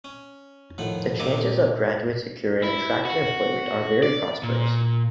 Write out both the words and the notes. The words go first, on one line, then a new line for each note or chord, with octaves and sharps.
The chances of graduates securing an attractive employment are very prosperous.
C#4
A2 D#3 F3 F#5
A#2 D3 A#3 C4 D#5 D6
E4
F#4
D5
A#2